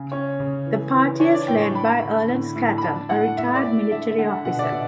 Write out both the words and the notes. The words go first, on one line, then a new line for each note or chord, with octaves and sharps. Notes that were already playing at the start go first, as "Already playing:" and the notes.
The party is led by Erland Skattem, a retired military officer.
Already playing: C#3
C#4 C#5
C#3
E3
E3
D4 C#5
D5
A2 G5
C#6
D4 B5
D3
A2
A2
B5
D4 A5
A2 F#5
A2 E5
D5
A2
D3 E5
D3 F#5
B2 F#5
D5
E5
B2